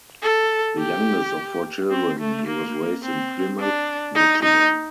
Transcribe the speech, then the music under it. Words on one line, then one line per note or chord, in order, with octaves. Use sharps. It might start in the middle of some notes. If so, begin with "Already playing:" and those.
The youngest of four children, he was raised in Plymouth, Michigan.
A4
G4
C4
A3
A#3
C4
D4
D#4
D#4